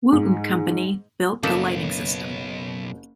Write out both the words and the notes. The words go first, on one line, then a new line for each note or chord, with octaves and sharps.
Wooten company built the lighting system.
G#2
F#1 B1 A#3 D#4 A4 B6 E7